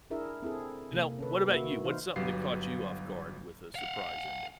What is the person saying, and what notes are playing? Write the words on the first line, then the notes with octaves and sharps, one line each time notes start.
So now, what about you? What's something that caught you off guard with a surprise ending?
D4 E4 G#4 A#4 E5
C4 E4 G#4 A4
C3 A#3
C#4 A4 B4
A#3 F#4 B4 E5
E3 D#4 C5 F5
G1 F#3 G4 B4 F5 C7
F5 F#5